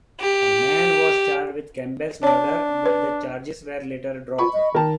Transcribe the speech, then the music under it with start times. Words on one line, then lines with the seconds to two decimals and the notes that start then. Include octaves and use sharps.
A man was charged with Campbell's murder but the charges were later dropped.
0.21 G4
2.23 D4 C#5 A5
2.86 B4
4.38 F4 B5 C#6
4.53 D#5
4.75 D#3 A#4 G5 A5